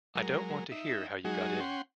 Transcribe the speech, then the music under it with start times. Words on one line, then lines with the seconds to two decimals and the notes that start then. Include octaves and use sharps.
I don't want to hear how you got in.
0.15 F#3 G#3 A#4
0.72 D#4 E5
1.25 F#3 G#3 D#4 F#4 G#4
1.60 C#4 F#5 G5 C6